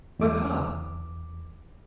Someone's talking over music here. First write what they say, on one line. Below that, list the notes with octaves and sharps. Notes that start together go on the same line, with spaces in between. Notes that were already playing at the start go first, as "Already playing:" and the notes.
But, ha!
E2 D6